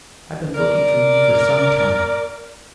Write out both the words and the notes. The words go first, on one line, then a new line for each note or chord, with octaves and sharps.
I've been looking for you for some time.
A#4 D5